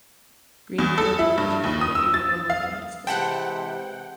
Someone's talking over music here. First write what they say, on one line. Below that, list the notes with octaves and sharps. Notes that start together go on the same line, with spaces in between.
Greenfield was educated at Abraham Lincoln High School.
E2
A4
E4
G2
D#2
D#6
E6
A6
F5
C3 E3 G#3 C5 F#5 G5 A5 B5